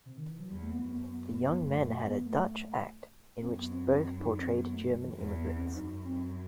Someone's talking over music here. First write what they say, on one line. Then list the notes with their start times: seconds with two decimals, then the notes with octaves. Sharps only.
The young men had a "Dutch act" in which both portrayed German immigrants.
0.06 C3
0.17 D#3
0.29 E3
0.39 F#3
0.49 E2 G3
0.62 A3
0.69 B3
0.79 F#2
0.89 B3
1.08 B3
1.28 B3
1.47 B3
1.67 A3
1.86 A3
2.05 B3
2.25 A3
3.42 F#2 C4
3.56 B3
3.71 C4
3.85 C4
4.00 C4
4.20 D#4
4.39 C4
4.58 B3
4.73 A3
4.88 F#3
5.02 E3
5.17 E2 F#3
5.36 B3
5.56 C4
5.75 F#2 D#4
6.05 C4